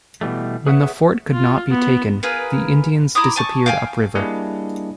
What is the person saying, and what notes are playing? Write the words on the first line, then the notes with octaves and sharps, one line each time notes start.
When the fort could not be taken, the Indians disappeared upriver.
B2 E3 G3 A3
G#4 B4 C#5 E5 F#5
F4
B3
F4 G#4 A#4 B4
E4 A#5 D6 D#6
G#5 A5 C#6
F5 G5 G#5
G3 A#3 D4 E4 G#4 D#5